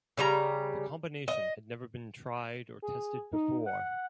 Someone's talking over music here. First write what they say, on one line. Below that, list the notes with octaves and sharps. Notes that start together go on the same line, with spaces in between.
The combination had never been tried or tested before.
C#3 G3 B4 A#5
D#5
G#4
D#4
F#5